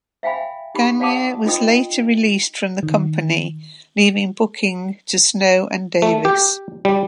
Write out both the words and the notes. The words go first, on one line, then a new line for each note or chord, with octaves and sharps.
Gagne was later released from the company, leaving booking to Snow and Davis.
E5 F5 G5 G#5 B5
D#4 G4 B5 C#6
D5 F5 F#5 A5 D6 D#6
D4 D#4 F4 D#5 G5 D#6
D#3
A3
G4
G3